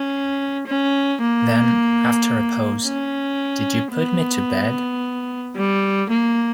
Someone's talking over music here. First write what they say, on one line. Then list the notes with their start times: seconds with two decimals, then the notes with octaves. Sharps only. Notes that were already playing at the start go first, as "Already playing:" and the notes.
Then, after a pause: "Did you put me to bed?"
Already playing: C#4
0.67 C#4
1.21 A#3
2.84 C#4
3.93 B3
5.56 G3
6.10 A#3